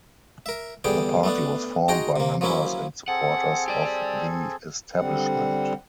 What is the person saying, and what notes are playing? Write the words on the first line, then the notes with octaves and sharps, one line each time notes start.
The party was formed by members and supporters of the establishment.
A#4 E5
E2 D3 G3 G#4 G5
A3 B3 D4
D#4 F#4 G#4 G5 A#5 C6
C3 A#3
F3 F#3 A#3 C#4 E4
C4 G#4 A4 F#5
G4 D5
D3 G3 C4 F#5